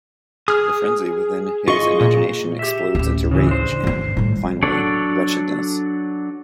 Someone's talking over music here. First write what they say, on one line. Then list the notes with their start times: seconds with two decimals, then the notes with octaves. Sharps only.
The frenzy within his imagination explodes into rage and, finally, wretchedness.
0.48 G#4 D#6 F6
1.68 F4 G#4 D#5 C#6
2.01 A#2
2.59 G4 E5
2.95 A1 D2
3.31 C#3 E3
3.47 D4 C5
3.84 G2 D3
4.17 A2 G3
4.63 F#3 D4 A4 C#5